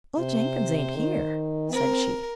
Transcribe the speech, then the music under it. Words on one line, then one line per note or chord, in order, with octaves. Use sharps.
"Old Jenkins ain't here," said she.
C3 C5
D#3
C4 A#4